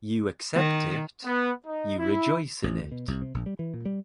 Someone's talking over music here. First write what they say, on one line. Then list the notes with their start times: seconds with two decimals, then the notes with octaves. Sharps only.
You accept it, you rejoice in it.
0.54 D#3
1.24 B3
1.66 D#4
1.98 E4
2.64 A1
2.79 D2
2.92 B2
3.08 C2
3.22 C3
3.34 A#1
3.46 G3
3.59 E3
3.74 A#2
3.85 G3